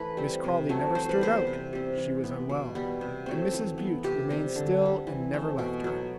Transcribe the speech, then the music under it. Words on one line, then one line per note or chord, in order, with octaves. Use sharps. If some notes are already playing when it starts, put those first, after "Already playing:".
Miss Crawley never stirred out--she was unwell--and Mrs. Bute remained still and never left her.
Already playing: E3 A3 B4
G3 C4
C3
F#3 A3 C4
E3 C5
B4
G3 B3 C5
C3
G3 C4
E3
B3
B2
G3 B3
C3
F#3 A3 C4
E3
B3
C3 G4
G3 C4
D3
G3 C4
E3
A3 C4
B2
F#3 B3